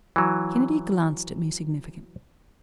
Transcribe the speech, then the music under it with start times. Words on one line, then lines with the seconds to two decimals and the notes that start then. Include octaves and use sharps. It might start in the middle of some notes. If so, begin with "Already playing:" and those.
Kennedy glanced at me significantly.
0.16 E3 F#3